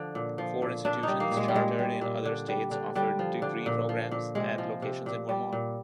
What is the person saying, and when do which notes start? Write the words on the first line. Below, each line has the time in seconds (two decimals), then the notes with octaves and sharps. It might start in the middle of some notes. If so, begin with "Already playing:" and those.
Four institutions chartered in other states offer degree programs at locations in Vermont.
Already playing: D3 F3
0.15 A#2
0.38 F3
0.62 A#2
0.85 A#2 D4
1.03 G3 D#4
1.20 A#3
1.31 A#2
1.37 G#3
1.48 G3
1.55 A#2 G#3
1.79 G3
2.01 A#2
2.25 D3
2.48 G3
2.71 D3
2.95 D3 G3
3.19 F3
3.42 D3
3.66 A#2
3.89 F3
4.11 A#2
4.35 C3 G#3
4.58 F3
4.82 C3
5.06 A#2
5.29 G3
5.53 A#2